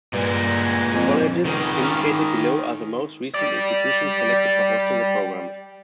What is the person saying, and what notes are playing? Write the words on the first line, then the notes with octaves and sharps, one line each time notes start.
The colleges indicated below are the most recent institutions selected for hosting the programs.
G2 A#2 G#3
F2 G#5
C#2 D#3 G#4
C#4 F4 D6
G4 D5